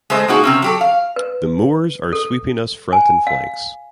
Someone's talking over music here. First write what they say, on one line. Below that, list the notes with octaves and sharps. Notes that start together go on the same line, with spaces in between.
The Moors are sweeping us front and flanks.
G#3 A3 C5 D#5
A#3 D#4 F#4 G#4
C3 C4 C#4
F#3 G4 A4
F5
B4
A4
G#5
F5